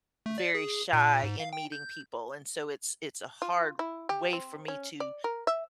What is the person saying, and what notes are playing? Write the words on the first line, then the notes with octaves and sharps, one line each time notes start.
very shy in meeting people, and so it's it's a hard way for me to
A3
D5
G#4
A#2
G#2
F5
G5
G6
F4
E4
G4
C4
C#4
D5
A#4
E5